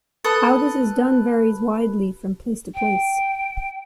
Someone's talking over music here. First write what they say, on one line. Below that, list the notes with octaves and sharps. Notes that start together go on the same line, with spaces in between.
How this is done varies widely from place to place.
A4 B4 D#6
G5